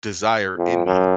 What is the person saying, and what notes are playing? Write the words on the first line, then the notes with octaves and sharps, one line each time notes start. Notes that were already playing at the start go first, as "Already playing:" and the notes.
desire in me
F2
F#2